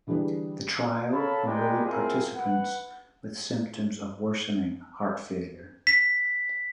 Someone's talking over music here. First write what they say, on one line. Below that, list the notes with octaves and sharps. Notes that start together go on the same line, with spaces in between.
The trial enrolled participants with symptoms of worsening heart failure.
D3 E3 G3 D4 G#4 B4
A4 A#4 C#5 F5 A5 B5
G#3 G4 A#4 B4 D5 G5
C4 E4 F4 G#4 A#4
B4 F#5
B6